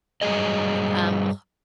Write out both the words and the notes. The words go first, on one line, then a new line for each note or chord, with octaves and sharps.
Um, h
G2 D#3 F#3 G#4 D#5